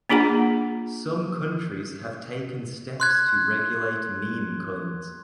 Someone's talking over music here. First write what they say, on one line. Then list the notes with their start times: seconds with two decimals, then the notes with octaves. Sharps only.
Some countries have taken steps to regulate meme coins.
0.09 A#3 D4 F4 G#4 F#5 A#5
3.00 C6 F#6 G#6